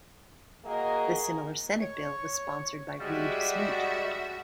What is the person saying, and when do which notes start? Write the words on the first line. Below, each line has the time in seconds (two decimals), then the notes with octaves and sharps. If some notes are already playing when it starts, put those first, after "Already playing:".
The similar Senate bill was sponsored by Reed Smoot.
0.65 A#3 F#4 G#4 A#4 D#5
1.80 C#5
3.00 G3 G#3 F#4 E5